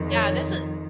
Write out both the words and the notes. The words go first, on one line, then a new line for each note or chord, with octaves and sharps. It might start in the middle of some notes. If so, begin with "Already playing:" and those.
Yeah, this i
Already playing: F2 D#3
C#5